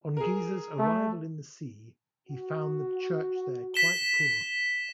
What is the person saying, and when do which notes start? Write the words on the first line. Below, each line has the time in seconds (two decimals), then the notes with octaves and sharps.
On Gisa's arrival in the see he found the church there quite poor.
0.17 G#4 A#4
0.79 A3
2.29 F#4
3.74 B6 E7 G7